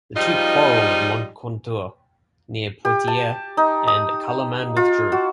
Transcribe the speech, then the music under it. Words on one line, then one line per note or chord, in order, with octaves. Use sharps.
The two quarreled at Moncontour, near Poitiers, and Carloman withdrew.
G#2 F3 G3 D#4 F4 D#5
G4
A5
D#4
D#6
F4
F#4